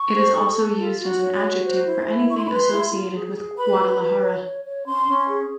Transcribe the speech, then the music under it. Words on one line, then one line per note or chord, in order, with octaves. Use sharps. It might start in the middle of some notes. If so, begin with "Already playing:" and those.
It is also used as an adjective for anything associated with Guadalajara.
Already playing: C#6
C5
A4
A4
F4
F#4
C#5
F#4
C5
E4
E4
E4 C#6
C6
B5
B4 C6
E4
F4
G#4
G#4
B4 B5
B4
B4
C#5
C#5
C#5
C#4 C6
C#4
G#4